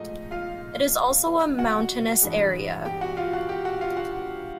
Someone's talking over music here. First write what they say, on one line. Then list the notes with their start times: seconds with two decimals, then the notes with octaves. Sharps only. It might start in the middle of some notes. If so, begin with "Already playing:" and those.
It is also a mountainous area.
Already playing: G#2 F3 A3 D#4 D#5
0.31 F4 F5
1.59 F#4 F#5
2.22 G2 E3 G#3
2.85 G4 G5
3.01 F#4 F#5
3.17 F4 F5
3.33 F#4 F#5
3.49 G4 G5
3.65 F#4 F#5
3.81 F4 F5
3.97 F#4 F#5